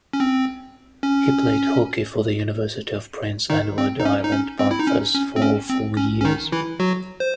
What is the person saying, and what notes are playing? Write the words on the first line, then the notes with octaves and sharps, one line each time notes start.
He played hockey for the University of Prince Edward Island Panthers for four years.
C#4
C4
C#4
D#3 D#4
C4
D#4
C#4
D#4
C#4
C4
E4
D#4
C#4
C#4
C4
C#4
C4
C#4
C#4
D#3 D#4
E3 E4
F#3 F#4
C5